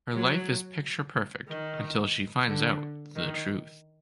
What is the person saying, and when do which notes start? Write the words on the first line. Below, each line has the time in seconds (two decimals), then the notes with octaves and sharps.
Her life is picture perfect until she finds out the truth.
0.14 F#3
1.48 D#3
2.48 D3
3.16 D#3